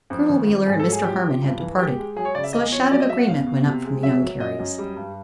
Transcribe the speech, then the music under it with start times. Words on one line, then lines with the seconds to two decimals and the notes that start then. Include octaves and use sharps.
Colonel Wheeler and Mr. Harmon had departed, so a shout of agreement went up from the young Careys.
0.10 F2
0.29 D#3
0.47 F2
0.66 G#2 G#4
0.79 A4
0.86 F#3
0.92 G#4
1.04 F3 G4
1.22 F3
1.42 G2
1.60 E3
1.79 G#3 G4
1.98 G#3
2.16 F#3 G#4
2.25 C#5
2.35 C#3 D5
2.44 E5
2.53 E2 D#5
2.72 F3 C#5
2.91 F#3 D5
3.00 D#5
3.09 F#3 E5
3.19 F#5
3.28 B2 F5
3.47 B2
3.65 C3
3.85 G#3
4.03 F#3 E5
4.22 F#3
4.40 F#2 D#5
4.59 F#2
4.78 G3
4.97 G2